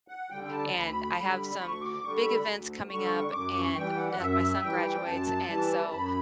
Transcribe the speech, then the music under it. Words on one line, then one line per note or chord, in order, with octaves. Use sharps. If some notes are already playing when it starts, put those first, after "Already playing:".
and I have some big events coming up, and, like, my son graduates, and so,
F#5
D3 G3 G5
G5
A5
D2 B5
D3 G3
D2 C#6
D6
D3 G3 C#6
B5
D2
D3 G3 C#6
C#6
F#2 D6
C#6
E3 G3 G5
F#5
F#5
F#2 E5
E3 G3 G5
F#2 A5
E3 G3
F#2 B5